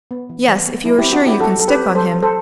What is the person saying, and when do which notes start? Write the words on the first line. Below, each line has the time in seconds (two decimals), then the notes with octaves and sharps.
"Yes, if you are sure you can stick on him."
0.11 B3
0.29 E3
0.48 E3
0.67 B3
0.85 F#3 E4
0.98 E4 G4
1.03 C4
1.13 D4 F#4
1.22 C4 E4 G4
1.40 F#3 F#4 A4
1.59 F#3 A4
1.68 G4 B4
1.77 C4
1.95 F#3 A4 C5
2.14 F#3
2.22 A4 C5